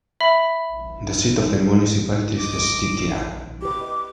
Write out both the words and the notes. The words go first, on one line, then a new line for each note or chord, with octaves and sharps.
The seat of the municipality is the city Tirana.
E5 B5
D#5 D6
G4 B4 D6
D#5